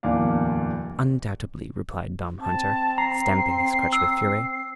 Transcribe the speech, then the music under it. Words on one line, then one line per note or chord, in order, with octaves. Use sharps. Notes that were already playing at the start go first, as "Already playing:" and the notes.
"Undoubtedly," replied Tom Hunter, stamping his crutch with fury.
D1 E2 A#3 D4 F5
C4 A5
A#5 C7
E6